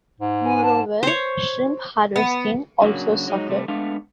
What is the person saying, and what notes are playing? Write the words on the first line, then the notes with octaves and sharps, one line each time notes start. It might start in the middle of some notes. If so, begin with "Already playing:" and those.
Moreover, shrimp harvesting also suffered.
G#2
G#5
A5
C5 C#5
B3
C#3 F#3 A#3 D4 F#4
F#3 G#3 D#4
C3 G3 A3
G#3 A3 B3 D4 F5